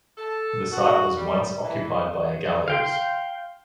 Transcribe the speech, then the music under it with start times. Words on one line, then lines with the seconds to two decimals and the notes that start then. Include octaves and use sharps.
The site was once occupied by a gallows.
0.18 A4
0.71 F#4
1.17 G3
1.65 E3
2.68 F5 G5 C6